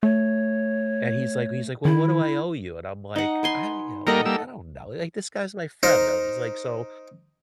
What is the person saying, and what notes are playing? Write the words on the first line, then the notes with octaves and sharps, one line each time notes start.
And, he's like he's like, "Well, what do I owe you?" And I'm like, "I" you know, like, "I don't know," like, this guy's my friend, I was like so,
A3 C#5
D#3 E4
D#4 F#5
B4 G#5 C6
G3 A#3 A4 A#4 D#5 F#5
G3 A#3 E6
D#4 A#4 C5